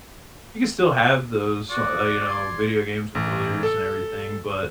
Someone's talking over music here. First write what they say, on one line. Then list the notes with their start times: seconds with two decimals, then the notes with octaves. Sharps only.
you could still have those s uh, you know, video games with the lyrics and everything, but
1.70 F#4 D5
2.28 C6 G#6
3.15 A1
3.63 A4